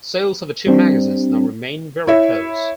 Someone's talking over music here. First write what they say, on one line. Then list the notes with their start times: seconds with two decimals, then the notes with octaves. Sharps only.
Sales of the two magazines now remain very close.
0.67 G3 C4 D4
2.07 E4 C#5 E5